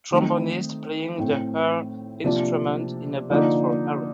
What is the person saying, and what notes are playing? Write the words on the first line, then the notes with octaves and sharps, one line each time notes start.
Trombonist playing the her instrument in a band for a parade.
D#3 A3 C4 D#4
A2 A3 C4
C3 F3 A#3 D4
D3 F3 A#3 D#4